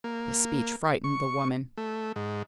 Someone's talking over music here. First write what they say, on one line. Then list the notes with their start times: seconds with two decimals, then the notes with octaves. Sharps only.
This speech frightened the woman.
0.04 A#3
1.04 C#6
1.77 A3
2.16 G#2